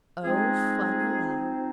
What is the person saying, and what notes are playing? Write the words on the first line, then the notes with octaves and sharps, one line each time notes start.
Oh, fun alive!
F3 G#3 C4 D#4 G#4